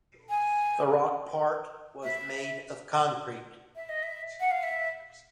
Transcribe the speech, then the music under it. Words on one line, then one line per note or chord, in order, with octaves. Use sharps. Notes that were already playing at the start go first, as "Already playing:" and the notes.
The rock part was made of concrete.
G#5
E5
E5
D#5
E5
F#5
F5
E5